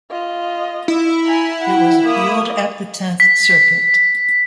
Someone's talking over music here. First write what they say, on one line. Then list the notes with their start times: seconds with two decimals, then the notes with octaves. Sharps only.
It was appealed at the Tenth Circuit.
0.11 F4 D#5
0.88 E4
1.26 G#5 A#5
1.61 F#5 G5
2.04 A#3 D#6
3.20 B6